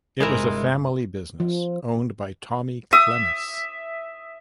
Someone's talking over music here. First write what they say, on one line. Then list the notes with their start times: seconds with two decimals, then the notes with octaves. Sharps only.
It was a family business owned by Tommy Klemis.
0.20 G1 C3 G#3 C4 E4 A#4
1.40 F3
2.93 E5 D#6